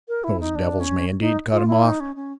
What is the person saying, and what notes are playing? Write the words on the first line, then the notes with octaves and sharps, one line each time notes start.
Those devils may indeed cut him off.
A#4
E4
D#4
D4
C#4
D#4
F4
E4
D#4
C#4
C#4